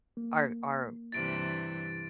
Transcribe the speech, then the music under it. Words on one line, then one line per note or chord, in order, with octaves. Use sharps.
our our
A#3
G2 C3 E3 A6 D7